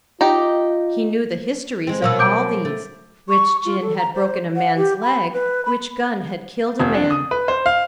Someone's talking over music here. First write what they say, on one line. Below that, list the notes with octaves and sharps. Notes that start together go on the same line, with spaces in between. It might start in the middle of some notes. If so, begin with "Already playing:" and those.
He knew the histories of all these--which gin had broken a man's leg, which gun had killed a man.
D#4 F4 G4
G#3 C4
B2 F#3 A#3 F5 E6
D6 G6 D7
A3
C#6
F4
A4
A#5
C5
F#5
G4
B5
B4
B5
F1
D4
D#6
B4
C5
F5